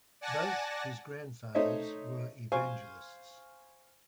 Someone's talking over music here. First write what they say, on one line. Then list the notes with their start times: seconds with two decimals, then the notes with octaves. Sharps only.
Both of his grandfathers were evangelists.
0.21 D5 F#5 G#5 A5 A#6
1.55 A3 D#4 C5 C#5 D#5 E5
2.52 C5 F5 G#5 C#6